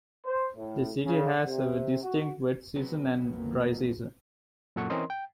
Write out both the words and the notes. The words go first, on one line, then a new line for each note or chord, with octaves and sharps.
The city has a distinct wet season and dry season.
C5
A2
C#3
C3
F#4
C3 F#3 B3
A#1 F2 A#3
F#2 A#2 A4 F#5 C#6
E3 C4 C#4 A#4 D#5 C6
G5